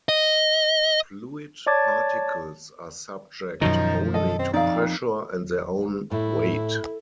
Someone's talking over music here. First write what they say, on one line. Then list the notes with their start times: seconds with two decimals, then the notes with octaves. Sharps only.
Fluid particles are subject only to pressure and their own weight.
0.09 D#5
1.66 C#5 D5 A5 D6 G#6 A6
3.61 F#2 B2 D#3 F3 D#4
4.14 A4 D#5
4.39 C4
4.54 F2 D#4 D5 F5
6.11 A2 E4 A4